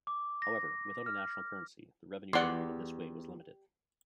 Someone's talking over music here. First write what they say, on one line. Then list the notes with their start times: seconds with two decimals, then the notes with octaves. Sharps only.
However, without a national currency, the revenue generated this way was limited.
0.07 D6
0.42 A#6
1.06 F6
2.33 E2 G4 D5 F#5 C6